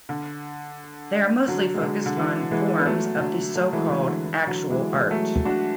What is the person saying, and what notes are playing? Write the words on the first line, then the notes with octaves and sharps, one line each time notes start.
They are mostly focused on forms of the so-called "actual" art.
D3
D3 F#3
G#3
D3 F#3
D3
E3
E3 G#3
B3
F#3 A3
D3 F#3
F#3 A3
E3 G#3
E3
D3
E3
D3 F#3
E3 G#3
E3 G#3
F#3 A3
D4 F#4